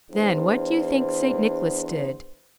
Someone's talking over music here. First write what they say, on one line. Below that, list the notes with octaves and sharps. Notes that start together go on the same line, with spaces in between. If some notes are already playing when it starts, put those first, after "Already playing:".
Then what do you think St. Nicholas did?
E2 D4 C5